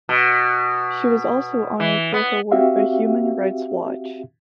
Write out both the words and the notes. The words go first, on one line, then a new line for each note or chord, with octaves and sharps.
She was also honoured for her work by Human Rights Watch.
B2
E3
B3
C4 F#4 G4 E5 F5